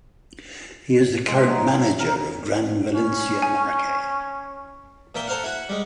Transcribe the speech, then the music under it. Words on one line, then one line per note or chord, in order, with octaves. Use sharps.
He is the current manager of Gran Valencia Maracay.
G#3
F#3
E5
A#4
C#4
G#5
A#2 A#3 E5 G5
A4 A#4 C5 F5 F#5
E4 F#4 F#5
G3 G#3